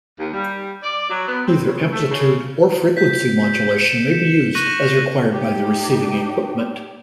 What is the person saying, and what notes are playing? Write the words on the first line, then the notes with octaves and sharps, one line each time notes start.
Either amplitude or frequency modulation may be used, as required by the receiving equipment.
D#2
G3
D5
F#3
B3
C4
C#3
A3
C#3
G6 B6
C#7 E7
C#6 F#6 A#6 D#7 F#7
D#4 G4